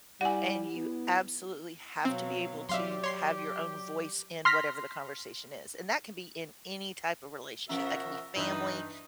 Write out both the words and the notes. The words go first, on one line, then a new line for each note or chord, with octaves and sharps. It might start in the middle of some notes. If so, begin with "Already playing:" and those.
and you absolutely have to be able to have your own voice in whatever the conversation is, and that can be in any type of relationship, that can be family,
G3 E4 F#5 G#5
B3
B2 F#3 C4 F5
F#3 G4 D5 E5 F5 C6
C#5 C6 C7
C6 F6 A#6 B6
B2 F3 C#4 A#4 E5
G2 E3 D#4 B4 E5